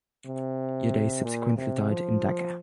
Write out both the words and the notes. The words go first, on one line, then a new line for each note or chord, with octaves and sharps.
Udai subsequently died in Dhaka.
C3
A#2
C3
F3